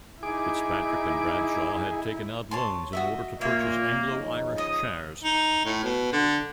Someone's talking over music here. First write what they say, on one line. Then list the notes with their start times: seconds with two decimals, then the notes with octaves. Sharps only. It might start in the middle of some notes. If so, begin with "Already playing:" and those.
FitzPatrick and Bradshaw had taken out loans in order to purchase Anglo Irish shares.
0.23 D#4 E4 G#4 D6
2.51 C#5 A5 C6
2.93 F#4 D#5 E5
3.41 A#2 A#3 C#5 E5
4.10 C#3 F3 D#4
4.58 D#5 D#6
5.24 D#4
5.65 A2
5.84 B2
6.13 D3